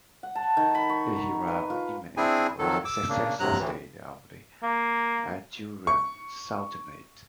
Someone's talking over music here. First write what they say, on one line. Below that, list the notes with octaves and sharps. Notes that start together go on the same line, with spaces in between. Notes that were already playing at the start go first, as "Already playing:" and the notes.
The Hiraab Imamate was the successor state of the Ajuran Sultanate.
F#5
A5
D#3
B5
C#6
A#5
B4
F4
C4 D4 E4 G#4 G#5
F2 D#3 F#3 A4
D6 E6
C#3 A#3 D4
G2 C3 F#3 A#5 F#6
D2 A2 E3
A#3
C#6